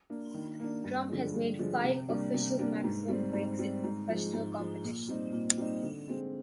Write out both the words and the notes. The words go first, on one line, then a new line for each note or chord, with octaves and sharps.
Trump has made five official maximum breaks in professional competition.
A#3 D4
D#3
A#3 D4
G2
D3 F3 G#3
G2
D3 F3 G#3
C3
G3 A#3 D4
C3
G3 A#3 D4
G#2
G3 C4
G#2
G3 C4
G#2
F3 G#3
G#2
F3 G#3
A#2
G3 C4 D#4
A#2
G3 C4 D#4
D3
G#3 C4